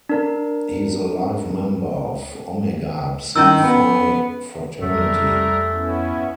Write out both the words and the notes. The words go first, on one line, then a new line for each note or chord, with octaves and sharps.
He is a life member of Omega Psi Phi fraternity.
D4 A#4
D#3 C#4 E4 E6
B3
F2 G3 A3 A#4
B3 C#4 E4